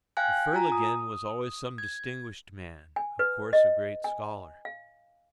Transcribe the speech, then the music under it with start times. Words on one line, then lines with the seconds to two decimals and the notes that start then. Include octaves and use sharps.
The Fer-leginn was always some distinguished man--of course a great scholar.
0.17 F5 G5 G#5 F#6
0.53 F4 G#5 A#5
0.72 D#6
1.78 G#6
2.96 G#5
3.19 B4
3.53 D#5
4.04 G#5
4.65 F5